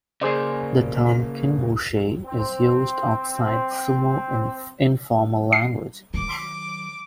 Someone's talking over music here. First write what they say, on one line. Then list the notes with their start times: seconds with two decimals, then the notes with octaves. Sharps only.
The term "kinboshi" is used outside sumo in informal language.
0.21 C#3 A#3 G#4 C5 D5
2.25 C4
3.44 C4
5.53 C7
6.14 D#3 F#3 D6